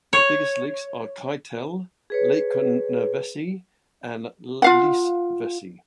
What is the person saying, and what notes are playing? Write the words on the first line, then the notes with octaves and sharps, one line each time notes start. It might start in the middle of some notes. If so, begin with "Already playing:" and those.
The biggest lakes are Keitele, Lake Konnevesi and Liesvesi.
C#5
G#4 B4 C#5
F4 F5 F#5